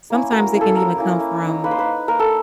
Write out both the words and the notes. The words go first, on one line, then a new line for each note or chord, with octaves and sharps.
sometimes it can even come from
A#3 C#4 E4
F#3 A#4
A#3 C#4 E4
A4
F#3 A#4
A#3 C#4 E4
A#3
D#4
A#3 B4
C5
B4
D#4
A#3 A#4
A4